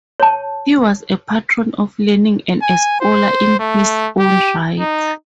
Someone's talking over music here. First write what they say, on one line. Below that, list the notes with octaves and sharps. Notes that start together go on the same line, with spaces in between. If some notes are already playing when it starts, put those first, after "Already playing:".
He was a patron of learning and a scholar in his own right.
C#5 A5
G#5
C5
A3
G4
D#4